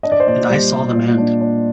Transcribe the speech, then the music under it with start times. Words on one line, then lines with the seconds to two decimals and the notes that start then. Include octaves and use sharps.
And I saw them end.
0.03 D4 D#5
0.12 D5
0.20 C5
0.27 A#2 D5
0.50 G3
0.72 G3
0.95 A#2
1.18 D4
1.41 D4